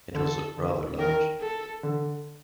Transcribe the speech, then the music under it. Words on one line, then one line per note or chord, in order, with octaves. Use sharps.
It was rather large.
D3 A4
D3
D#3 A#4
A4
D3